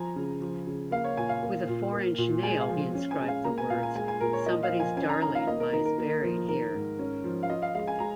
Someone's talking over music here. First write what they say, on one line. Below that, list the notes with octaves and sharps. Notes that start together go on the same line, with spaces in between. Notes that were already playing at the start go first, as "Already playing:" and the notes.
With a four-inch nail he inscribed the words Somebody's Darling lies buried here.
Already playing: F3 G#5 A#5
C#3
F3
C#3
A#3 F5
C#5
A#2 G#5
F5
A#3
A#2
A#3
A#2
G#3 G#5
F5
F3
C#4
G#5
G#3
F5
A#3 A#5
G#5
A#2 F5
G#5
G#3 G#5
G#5
A#2 A#4
C#5
A#3 D#5
F5
F3
G#5
C#4 G#5
A#5
D#3 A#5
F5
A#3 D#5
A#4
D#3 A#4
A#4
A#3
F3
D#3 A#4
G#2
C#4
F3
F5
F4 D#5
F5
G#3 F5
G#5
G#3 A#5